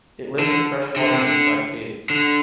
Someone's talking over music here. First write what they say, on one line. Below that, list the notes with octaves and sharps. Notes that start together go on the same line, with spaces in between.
It lives in fresh waters inside caves.
D3
D3
C3
D3
D3